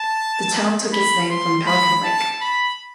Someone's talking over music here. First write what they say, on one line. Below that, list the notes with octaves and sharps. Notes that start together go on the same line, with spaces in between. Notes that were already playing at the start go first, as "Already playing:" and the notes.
The town took its name from Pelican Lake.
Already playing: A5
B5
C6
B5
A5
B5